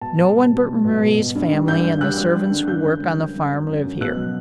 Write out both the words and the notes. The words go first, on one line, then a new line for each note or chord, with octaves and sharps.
No one but Mari's family and the servants who work on the farm live here.
B2 A5
B2
G3
B2
G3
B2
B2
B2
G2
G3
G2 G6
G2
G3 F#6
G3
G3
D3
F#2 G6
F#2
G3
F#2
F#2
F#2
F#2
F#2
B2 F#6
F#3